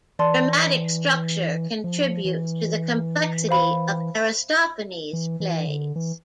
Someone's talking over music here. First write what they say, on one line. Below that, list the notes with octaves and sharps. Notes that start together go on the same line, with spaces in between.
Dramatic structure contributes to the complexity of Aristophanes' plays.
E3 D5 A5 C6
F3
E3
C5 F5 B5
E3
E3
D3
E3